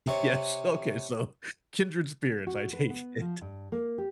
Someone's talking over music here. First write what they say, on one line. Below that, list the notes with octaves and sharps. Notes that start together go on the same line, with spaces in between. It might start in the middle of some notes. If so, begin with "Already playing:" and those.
Yes, okay, so, kindred spirits, I take it.
C3 C#5
F#4
B4
B3
F3
G2
A#3
G4